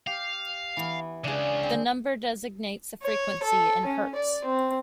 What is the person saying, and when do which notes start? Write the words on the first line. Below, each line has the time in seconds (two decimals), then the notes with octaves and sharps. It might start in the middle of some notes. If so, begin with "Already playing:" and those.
The number designates the frequency in hertz.
0.07 G4 F5
0.77 E3 B3
1.24 C#2 C#3 D4 G#4
1.63 C4
3.03 C#5
3.43 A4
3.85 C#4
4.15 D5
4.45 C4